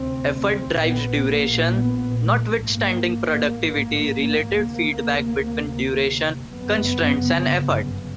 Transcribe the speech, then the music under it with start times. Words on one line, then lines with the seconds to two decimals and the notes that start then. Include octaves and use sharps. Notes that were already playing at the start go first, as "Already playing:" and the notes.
Effort drives duration, notwithstanding productivity-related feedback between duration constraints and effort.
Already playing: D2 C3 C4
0.34 C4
0.81 A#1 A#2 B3
1.29 A#3
1.76 B3
2.24 A3
2.71 A1 G#2 A#3
4.61 D2 C3
6.51 G1 F#2 C#3 B3
7.47 B3